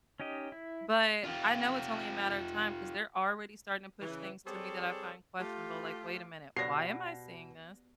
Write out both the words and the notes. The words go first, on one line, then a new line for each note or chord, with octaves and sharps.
but I know it's only a matter of time 'cause they're already starting to push things to me that I find questionable. Like, "Wait a minute. Why am I seeing this?
C#4 D#4 G4 D#5
E4
F4 G4
C#3 E3
G3 C4 G#4 A4 C#5 D5
A3 F4 G4
B2 B3 G4 C5 D5 F5 A#6 C7